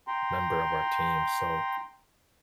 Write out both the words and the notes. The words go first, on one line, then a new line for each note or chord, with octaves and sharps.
member of our team, so,
G5 A#5 C6